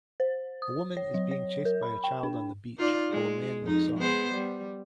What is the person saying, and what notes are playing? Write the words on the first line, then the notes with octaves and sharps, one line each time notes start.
A woman is being chased by a child on the beach while a man looks on.
C5
D#6
C#5
F#3
C#5
A#4
B5
G5
D4
D#4 F4 D5
G#3
F2 D#4
G#3 B3 C5
G3